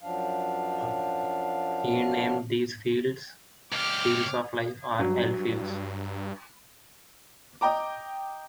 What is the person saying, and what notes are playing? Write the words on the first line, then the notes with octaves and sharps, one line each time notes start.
He named these fields "fields of life" or L-Fields.
F#2 F3 F#3 D4 F5
C#2 G4 D6 F6
G2 F#3
D#5 G5 A#5 D6